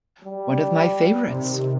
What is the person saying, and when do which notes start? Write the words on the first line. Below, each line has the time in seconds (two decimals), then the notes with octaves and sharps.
One of my favorites.
0.24 G3
1.28 C3 D#3